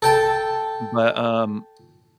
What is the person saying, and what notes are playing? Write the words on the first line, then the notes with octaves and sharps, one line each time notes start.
But, um,
A4 G5 A5